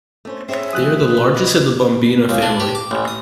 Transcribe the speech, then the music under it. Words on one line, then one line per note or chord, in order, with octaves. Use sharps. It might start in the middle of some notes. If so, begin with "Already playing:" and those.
They are the largest of the bombina family.
A3 C#4 C5
C4 C#4 E4 G#4 C5 C#5 E5
A1 F2 D#6 F#6
B1 A2 B4
B4 D5 D#5 F#5
C#2
D4
G4
D6
A1
D#6